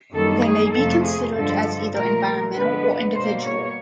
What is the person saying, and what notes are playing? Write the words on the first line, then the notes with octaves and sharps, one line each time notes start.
They may be considered as either environmental or individual.
F#2 D#3 G3 A#3 A4
G#4
F2 C3 F3 A3 A4
G#4
G2 D3 F3 G#3 A4
A#2 F3 A3 A#4
G2 D3 F3 G#3 B3 B4
B2 G3 A#3 C5
C#5